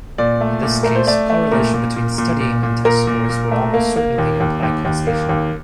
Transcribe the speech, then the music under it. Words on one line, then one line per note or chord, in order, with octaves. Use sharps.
In this case, correlation between studying and test scores would almost certainly imply causation.
A#2 D5
A3
A#2
A3 A#4
C5
A3 D5
A3
A#2 A#4
A#2
A#2
A#2
A#2
A#2
A#2 A#4
A#2
A#2
A3
A#3
A#3
D#2
D#2
D#2
D#2
A#3
D#2